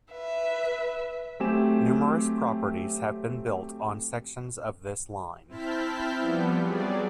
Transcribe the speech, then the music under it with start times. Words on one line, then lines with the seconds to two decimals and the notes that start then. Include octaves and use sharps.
Numerous properties have been built on sections of this line.
0.11 B4 E5
1.40 F#3 A3 C4 G4 G#5 E7
5.48 C4 E4 A5 F6 G6 B6
6.18 F3 G3 B3
6.58 F#3 G3 G#4 D5